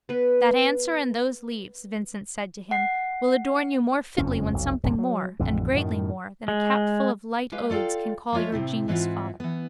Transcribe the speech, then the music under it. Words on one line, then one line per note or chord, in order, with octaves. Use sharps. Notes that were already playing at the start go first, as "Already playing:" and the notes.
That answer and those leaves, Vincent said to him, will adorn you more fitly when something more, and greatly more, than a capful of light odes can call your genius father.
B3 B4
F#5 C7
F#1 F2 F3 C#4
F1 B1
D1 G#1 G2 C3
F#3
A1 F2 D3
F#2 A2 C3 D#3
G#3
G#3 G4 B4 F5
F4 A4 D5 F5 G5
F3 G#3 F4 C#5 E5
A2 C3 C4 E4
G#2 E3 C4 E4 F4 F#5
E3 B3